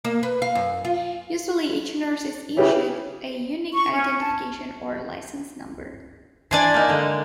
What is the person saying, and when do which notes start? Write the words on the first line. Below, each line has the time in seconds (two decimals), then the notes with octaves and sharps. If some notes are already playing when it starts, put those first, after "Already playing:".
Usually each nurse is issued a unique identification or license number.
0.05 A#3
0.23 B4
0.42 F5
0.55 F#2
0.85 F4
2.57 C#3 E3 F4 G4
3.73 C#6
3.92 C#4
4.19 A5
6.51 E3 D4 D5 G#5 C6
6.74 A#3 D#4
6.88 D3 G#3